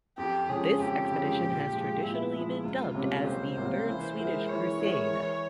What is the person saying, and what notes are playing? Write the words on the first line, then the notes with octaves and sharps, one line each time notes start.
This expedition has traditionally been dubbed as the Third Swedish Crusade.
F2 G4
C#3 F3 G#3 C#4 G#4
F2 G4
C#3 F3 G#3 C#4
A#2
F3 G#3
A#2 E4
F3 G#3 E4
C#2 F4
C3 G3 A#3 C#4
C#2 C5
C3 G3 A#3 C#4
E3
G#3 E4 A#4
E3 C#5
G#3 E4 A#4
E3